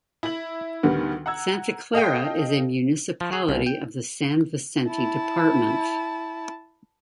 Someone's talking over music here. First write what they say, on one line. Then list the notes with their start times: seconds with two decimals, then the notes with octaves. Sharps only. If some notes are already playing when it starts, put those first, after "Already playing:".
Santa Clara is a municipality of the San Vicente Department.
0.23 E4 E5 F#7
0.83 D2 D#3 G3 B3
1.26 F#5 A#5 E6 G#6
1.93 A4 D#5 F5 G5
3.21 F3
3.33 G#4
3.49 C2
3.66 G5
4.88 E4 A5